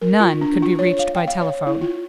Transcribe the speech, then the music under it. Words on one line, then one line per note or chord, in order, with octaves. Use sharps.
None could be reached by telephone.
A#4
F4
D4
F4
C#5
F5
G5
F5
C#5
E4
F4